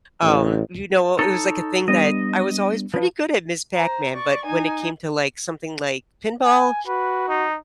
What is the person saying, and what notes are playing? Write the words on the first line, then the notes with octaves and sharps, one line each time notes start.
um, you know, it was like a thing that I was always pretty good at Ms. Pac-Man, but when it came to, like, something like pinball,
A1
D#4 A4 C#5
G3 B3 D4 D#5
F3 B4
C5 A#5
D5 C#6
D#4 G#5
G#5
F#4 B4
D#4